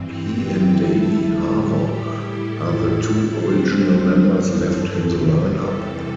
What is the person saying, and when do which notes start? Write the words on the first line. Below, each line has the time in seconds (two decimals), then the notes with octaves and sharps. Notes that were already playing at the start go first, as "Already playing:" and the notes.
He and Davey Havok are the two original members left in the lineup.
Already playing: G2 E3 C4
0.25 G4 G5
0.69 D3 A3 E4 A4
1.57 A2 G3 E4 G4
2.45 A2 G3 E4 A4
3.35 D3 A3 C4 D4 C5
3.78 C4 C5
4.23 G2 E3 C4
4.67 A4
5.11 E2 C3 E3 G3
5.55 A4